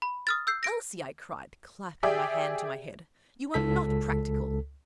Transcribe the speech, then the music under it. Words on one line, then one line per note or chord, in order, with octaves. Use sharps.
'Elsie,' I cried, clapping my hand to my head, 'you are not practical.
B5
D#6 F6 A6
E6 G6 C7
A#6 D7
G4 G#4 D5 E5 G5
C#2 A4 B6